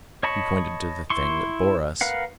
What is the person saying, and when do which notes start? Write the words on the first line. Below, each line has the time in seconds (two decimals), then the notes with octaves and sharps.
He pointed to the Thing that bore us.
0.23 C#5 D#5 A5 B5 C#6
1.10 E4 C6 C#6
2.01 A#4 B4 F5 F#5